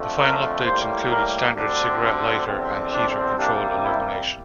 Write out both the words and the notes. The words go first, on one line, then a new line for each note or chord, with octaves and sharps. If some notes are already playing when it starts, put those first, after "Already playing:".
The final updates included standard cigarette lighter and heater control illumination.
Already playing: F2 D3 A3
A#4
A2 G3 A#3 C5
A#4
D2 D3 G3 C4 D4
E2 D3 G3 C4
D4
C2 C3 G3 A#3 D4
E4